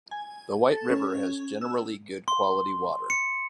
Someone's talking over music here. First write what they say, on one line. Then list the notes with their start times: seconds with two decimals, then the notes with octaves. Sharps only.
The White River has generally good-quality water.
0.11 G#5
0.71 A4
0.90 C#4
1.61 E6
2.28 C6
3.10 C#7